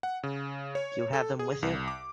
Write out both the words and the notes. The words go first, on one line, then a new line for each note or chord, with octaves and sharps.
You have them with you?
F#5
C#3
C#5
A4
G#4
C2
D6